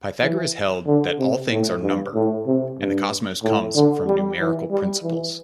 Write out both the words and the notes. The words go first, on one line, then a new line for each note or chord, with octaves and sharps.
Pythagoras held that all things are number, and the cosmos comes from numerical principles.
E3
D3
C3
A2
G2
A2
C3
G2
A2
D3
G3
E3
G3
E3